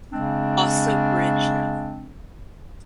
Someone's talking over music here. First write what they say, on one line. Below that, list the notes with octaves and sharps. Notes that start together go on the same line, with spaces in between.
Also bridge no.
C#3 G#3 C4 D4